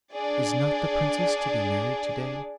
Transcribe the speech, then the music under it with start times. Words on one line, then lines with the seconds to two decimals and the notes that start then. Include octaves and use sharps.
'Is not the princess to be married to-day?'
0.12 D4 G#4 D5